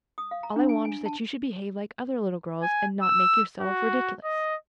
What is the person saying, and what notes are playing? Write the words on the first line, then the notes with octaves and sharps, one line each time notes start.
All I want is that you should behave like other little girls and not make yourself ridiculous.
D#6
F5
A#5
D4
G#5
G#5
A5
G#5
E6
F#4
D#5